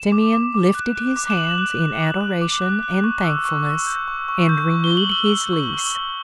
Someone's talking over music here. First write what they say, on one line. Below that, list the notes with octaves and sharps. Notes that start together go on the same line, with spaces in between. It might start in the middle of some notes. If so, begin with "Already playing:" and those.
Simeon lifted his hands in adoration and thankfulness and renewed his lease.
Already playing: E7
D6
D6
D6
F#6
F#6
D6
E7
D6 F#7
F#6
F#6
D6
F#6
D6
F#6
F#6
C#6
E6
C#6
E6
G6
C#6
C#6
G6
C#6
G7
C#6
F#7
E6 G7
E6
C#6
E6
C#6